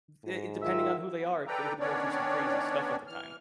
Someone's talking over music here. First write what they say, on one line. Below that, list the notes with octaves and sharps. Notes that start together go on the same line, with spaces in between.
it depending on who they are, they can be going through some crazy stuff at the time.
G#2
D#3 F4 E5
B3
A4 B4 D5 G5 A#5
D#3 B3 C#4 D4 C#5 D5
E3 F6